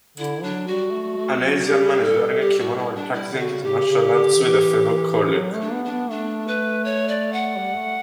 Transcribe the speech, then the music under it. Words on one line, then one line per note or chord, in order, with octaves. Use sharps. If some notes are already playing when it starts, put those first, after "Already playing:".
An asian man is wearing a kimono while practicing his martial arts with a fellow colleague.
D3 E4
F#3 D4
G3 F#4
A3
A3
F#3
G3 G4
A4
G4
F#4
E4
D4
G3 E4
D3
F#4
C#3
B2 G4
C#3
C#3
D3
E3
F#3
A3
D4
B3
D4
B3
A3 D4
B4
C#5
D5
F#5
G3
A3